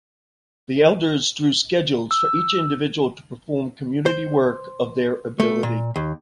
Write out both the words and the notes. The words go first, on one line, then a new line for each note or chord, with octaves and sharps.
The elders draw schedules for each individual to perform community work of their ability.
E6
C5
A3
A#2
D#2